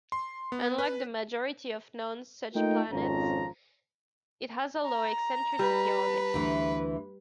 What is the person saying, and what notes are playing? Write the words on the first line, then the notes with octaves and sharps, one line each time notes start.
Unlike the majority of known such planets, it has a low-eccentricity orbit.
C6
B3
B4
A3 A#3 D#4 F4 G5
G#1 F2 F3 C#4 A#5
A#5
G3 B4
D2 E3